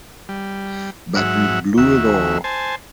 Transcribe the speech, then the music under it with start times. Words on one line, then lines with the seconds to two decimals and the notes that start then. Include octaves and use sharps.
But we blew it all.
0.29 G3
1.16 G#2 F#3 E5 F#5
1.78 D#2 F#4 E5
2.44 C5 G#5 A5